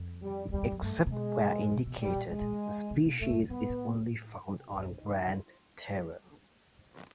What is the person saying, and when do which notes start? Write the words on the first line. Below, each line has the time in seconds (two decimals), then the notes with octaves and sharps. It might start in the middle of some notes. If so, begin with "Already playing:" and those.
Except where indicated, the species is only found on Grande Terre.
Already playing: F2
0.23 G3
0.49 F2
0.53 E2 G3
0.62 F2
0.72 F#2
0.82 G2 A3
0.97 A2
1.06 C3
1.11 B2 G#3
1.71 B2
1.87 B2
1.97 A#2
2.02 A2 G3
2.15 A#2
2.31 A2 G#3
2.41 A#2
2.90 C3
3.05 B2
3.20 A2 A3
3.30 G2
3.41 F#2
3.50 G#2 B3
3.60 G#2
3.70 A2